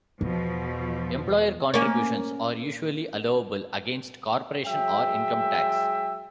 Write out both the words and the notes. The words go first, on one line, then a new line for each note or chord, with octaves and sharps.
Employer contributions are usually allowable against corporation or income tax.
E2 B2 F3
A#3 C#4
F#3 G#3 E5 G5